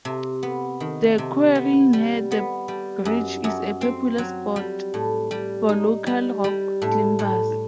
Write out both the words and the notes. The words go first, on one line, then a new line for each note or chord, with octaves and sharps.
The quarry near the bridge is a popular spot for local rock climbers.
C3
B3
D#3
C3
B3
G3
B3
G3
F#2
F#2
C4
F#3
G3
A2
G3
D#4
G3
G3
A2
A2